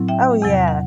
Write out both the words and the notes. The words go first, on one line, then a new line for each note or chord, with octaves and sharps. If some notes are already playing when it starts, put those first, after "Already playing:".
Oh, yeah.
Already playing: A2 F#3 C4 E4
E5 G5
E2 C3 F#3
F#5